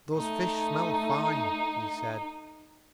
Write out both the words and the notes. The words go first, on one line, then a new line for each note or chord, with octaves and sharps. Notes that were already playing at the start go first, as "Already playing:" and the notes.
"Those fish smell fine," he said.
A3 D#4